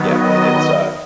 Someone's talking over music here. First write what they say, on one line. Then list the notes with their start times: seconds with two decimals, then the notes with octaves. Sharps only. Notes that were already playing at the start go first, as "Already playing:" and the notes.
Yeah, it it's, uh,
Already playing: D#3 F#3 B3
0.09 D#5